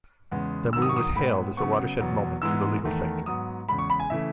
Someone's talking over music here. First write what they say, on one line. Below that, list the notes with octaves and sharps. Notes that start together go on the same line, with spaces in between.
The move was hailed as a 'watershed moment' for the legal sector.
E2 C#3 G#3 B3
G#2 D#3 F#3 E6
D#6
C#6
D#6
A2 G#3 B3 B5
C#3 F#3 B3 C#6
E2 B2 F#3 B3
G#2 E3 G#3 B3 E6
E2 D#3 A3
G#2 F#3 B3 D#6
E2 C#3 G#3 B5
C#6
B5
G#5
C#3 E3 A3 E5